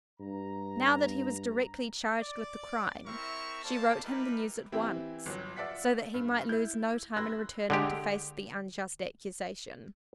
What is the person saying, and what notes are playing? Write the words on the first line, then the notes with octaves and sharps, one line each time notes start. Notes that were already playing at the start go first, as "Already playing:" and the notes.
Now that he was directly charged with the crime, she wrote him the news at once, so that he might lose no time in returning to face the unjust accusation.
G2 A#5
D5
C4 E4 A#4 E5 C#6
A#3 A4 C5 D5 A5
G3 D#4 E4 A#4 B4
E3 C4 E4 G4
G1 F#3
F4 D5 E5 F#5 B6
G2
E4 G6
B5 C6 E6 F#6 G#6 A#6
D3 G#3 G4